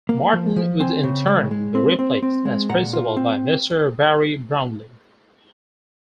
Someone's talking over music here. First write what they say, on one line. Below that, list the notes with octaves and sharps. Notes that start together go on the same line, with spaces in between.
Martin would in turn be replaced as principal by Mr. Barry Brownlee.
A#3
F3
F3
C4 G#5 C6
C#3
G#3
G#3
C4
C4
C4
G#3
A#2 F#5 A#5
F4
C4